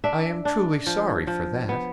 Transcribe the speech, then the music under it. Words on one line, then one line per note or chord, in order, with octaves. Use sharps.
"I am truly sorry for that."
D4 E5
D4
F3
F3
B3